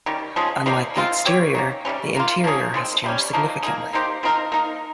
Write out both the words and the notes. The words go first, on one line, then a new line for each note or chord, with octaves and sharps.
Unlike the exterior, the interior has changed significantly.
D#3 G3 C#4
F3 G#3 C#4 G#4
C3 G3 A#3 C#4
D#3 G#3 C4 F4
C4 G4 C#5
D#3 A#3 C#4
C3 D#3 G3 C#4
D#3 A#3 F4
F3 A#3 C#4 G#4
D#3 G#3 C4
C3 G3 C#4
F3 A#3 D#4 A#4
A#3 D#4 G#4
A#3 D#4 G4 C5
F3 C4 D#4 A#4
A#3 D#4 A#4